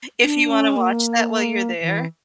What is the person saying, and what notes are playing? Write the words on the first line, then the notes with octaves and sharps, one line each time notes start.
if you wanna watch that while you're there.
D4
C#4
A#3
E3